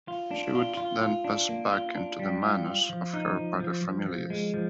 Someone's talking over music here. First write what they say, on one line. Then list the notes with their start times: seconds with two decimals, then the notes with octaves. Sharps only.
She would then pass back into the "manus" of her "paterfamilias".
0.08 F4
0.31 D4
0.55 F4
0.77 F4
1.02 F4
1.24 D4
1.49 A#3
1.72 F4
1.95 D4
2.19 G3
2.42 F4
2.66 F4
2.89 F3
3.13 D#4
3.36 F3
3.60 F3
3.84 F3
4.06 F3
4.30 G#3
4.54 F3